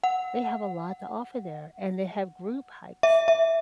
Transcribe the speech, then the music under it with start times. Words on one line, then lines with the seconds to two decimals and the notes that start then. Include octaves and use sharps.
They have a lot to offer there, and they have group hikes.
0.04 F#5
3.03 E5
3.28 E5